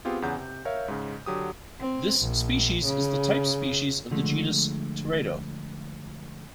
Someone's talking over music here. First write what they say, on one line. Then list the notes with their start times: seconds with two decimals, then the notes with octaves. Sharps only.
This species is the type species of the genus "Teredo".
0.05 B3 C4 F4 G4 G#4
0.22 E2 C#3 F#5 G6
0.36 C3
0.65 A#4 C#5 E5 F5
0.88 G#2 C#3
1.26 D3 F#3 G4 D#6
1.79 C4
2.19 A#1
2.84 C#3
4.11 D3 F3 G#3 A3